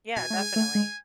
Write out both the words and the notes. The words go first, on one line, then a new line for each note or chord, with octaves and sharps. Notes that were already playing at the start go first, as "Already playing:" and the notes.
Yeah, definitely.
B2 G#5
A3
G#3
A3
G#3